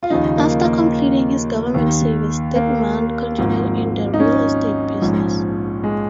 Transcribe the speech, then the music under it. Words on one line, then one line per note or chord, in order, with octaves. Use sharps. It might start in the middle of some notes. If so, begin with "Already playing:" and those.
After completing his government service, Dickmann continued in the real estate business.
F4
D#2 C#3 F3 D#4
A#3
A#3
D#2 D#3
A#3
G#1 G#2 F3
D#4
C#4
A#1 G#2 F3
G#3